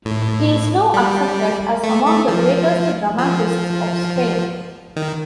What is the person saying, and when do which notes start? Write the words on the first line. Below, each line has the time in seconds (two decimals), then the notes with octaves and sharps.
He is now accepted as among the greatest dramatists of Spain.
0.05 A2
0.94 G3
1.84 A3
2.06 A3
2.28 F3
3.18 F3
4.96 D#3